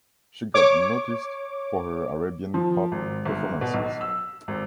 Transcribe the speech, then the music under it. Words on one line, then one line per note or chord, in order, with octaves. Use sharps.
She got noticed for her Arabian pop performances.
C#5 D6
F3
G#1
G1
B2
B1
E6
G#1